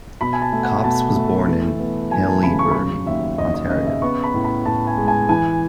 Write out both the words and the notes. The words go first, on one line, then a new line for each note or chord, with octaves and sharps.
Copps was born in Haileybury, Ontario.
B2 B5
G#5
A5
A3
F#5
B2 A5
A3
E3
B3
F#2 G#5
A5
C#3 B5
C#6
B5
F#3 C#6
D#2 E5
D#2 D#5
D#5
C#3 D#5
E5
B3 C#6
B5
A2
B5
A2 A5
G#5
G#3
G#5
E3 G#5